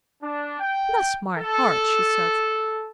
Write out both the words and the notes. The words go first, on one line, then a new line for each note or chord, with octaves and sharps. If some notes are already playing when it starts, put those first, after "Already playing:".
"Bless my heart!" she said.
D4
G5
A4